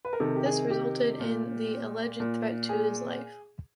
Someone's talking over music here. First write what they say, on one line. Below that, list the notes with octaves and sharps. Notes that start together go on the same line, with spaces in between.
This resulted in the alleged threat to his life.
B4
A#4
C3 D#3 A4
G4
G#4
G4
A#2
A#2
G#4